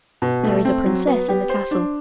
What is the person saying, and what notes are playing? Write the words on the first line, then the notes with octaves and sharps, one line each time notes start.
'There is a princess in the castle.
B2
A3
C4
F#3
B3
G4
C5
D4